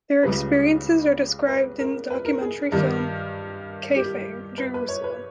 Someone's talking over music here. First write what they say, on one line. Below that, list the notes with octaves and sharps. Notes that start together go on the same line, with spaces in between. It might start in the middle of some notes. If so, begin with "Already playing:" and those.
Their experiences are described in the documentary film, "Kaifeng, Jerusalem".
C#2 C#3 G3 B4
B4
A#4
B4
A#4
G#4
G2 D#3 G3
G4
B4
B4
C#5
B4